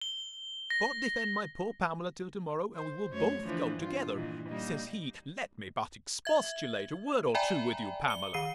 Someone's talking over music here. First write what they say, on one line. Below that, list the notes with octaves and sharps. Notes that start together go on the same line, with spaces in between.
God defend my poor Pamela till to-morrow, and we will both go together.--Says he, let me but expostulate a word or two with you, Pamela.
G7
A#6
C5
F#2 A3 C#5
D3 E3 F3
G2 F4
A#2 D#3 E3
G3 A#3 D#4
E5 G#6
D5 E5 G5 G#5 A#5 B5
C#7 G7
D#3 C7 D#7